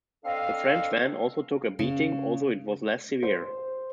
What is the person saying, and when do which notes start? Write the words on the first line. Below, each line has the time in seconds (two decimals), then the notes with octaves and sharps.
The French van also took a beating, although it was less severe.
0.24 C4 D4 A4 D#5 F5
1.79 C#3
3.23 C5